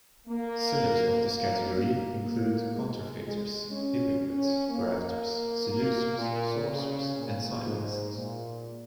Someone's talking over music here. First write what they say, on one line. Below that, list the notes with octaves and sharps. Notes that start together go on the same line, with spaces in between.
Sinners of this category include counterfeiters, hypocrites, grafters, seducers, sorcerers and simonists.
A#3
A#3
A#3
A#3
G#3
G#3
C#4
C#4
A#3
A#3
A#2
C#3
A#2
G#2
A#2